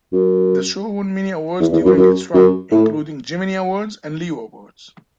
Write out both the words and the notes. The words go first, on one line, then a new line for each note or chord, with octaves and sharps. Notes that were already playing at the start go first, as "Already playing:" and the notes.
The show won many awards during its run, including Gemini Awards and Leo Awards.
F#2
E2
E2
F#2
F#2
F#2
A2